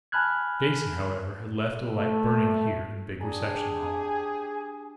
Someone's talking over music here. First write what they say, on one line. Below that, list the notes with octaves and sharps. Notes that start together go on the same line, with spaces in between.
Jason, however, had left the light burning here in the big reception hall.
G#5 A5 B5 F6 F#6 G#6
A3
D4 G4 G#4 G#5 A#5